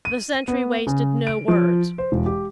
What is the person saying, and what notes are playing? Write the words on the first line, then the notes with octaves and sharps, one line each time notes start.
The sentry wasted no words.
D#7
B3
C#3
D7
F3
C5
E1
G4